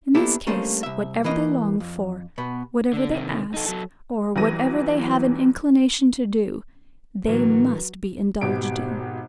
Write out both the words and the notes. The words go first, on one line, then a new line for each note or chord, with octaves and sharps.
In this case, whatever they long for, whatever they ask, or whatever they have an inclination to do, they must be indulged in.
A#3 B3 D4 E4 G4 A4
G3 A3 A#3 C#4 D4 C5
C2 E5
E3 A#3 D#5
F2
B2 B3
D3 D4
C3 D#3
D#4 A4
F#3 A4
E2 E3 F#3 G3 A#6 D#7
A2 D3 E3 F#3 A#4 B4
G#1 B2 G4 D7